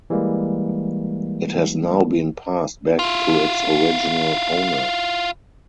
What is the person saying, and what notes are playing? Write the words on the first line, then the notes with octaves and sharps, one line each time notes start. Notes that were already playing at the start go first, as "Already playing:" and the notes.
It has now been passed back to its original owner.
E3 G3 G#3 A#3
E4 F4